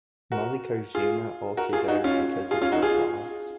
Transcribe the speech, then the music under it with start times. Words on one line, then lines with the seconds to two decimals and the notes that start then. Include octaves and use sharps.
Mallikarjuna also dies because of blood loss.
0.32 F#4 A#4
0.95 F4 G#4
1.57 F#4 A#4
1.73 F4 G#4
1.88 D#4 F#4
2.04 C#4 F4
2.51 F4 G#4
2.62 C#4 F4
2.72 D#4 F#4
2.82 F4 G#4